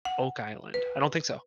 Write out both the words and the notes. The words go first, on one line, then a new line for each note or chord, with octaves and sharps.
Oak Island, I don't think so.
F#5
B4